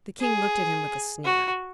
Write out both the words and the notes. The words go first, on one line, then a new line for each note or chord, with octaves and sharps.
The King looked at him with a sneer.
G#4
F#4